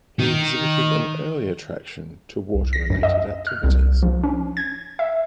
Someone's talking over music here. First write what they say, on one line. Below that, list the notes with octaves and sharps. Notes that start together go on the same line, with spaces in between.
He exhibited an early attraction to water-related activities.
D#3
C2
A#6
F#2
D#5
F6
C2
F3
C#4
G#6
E5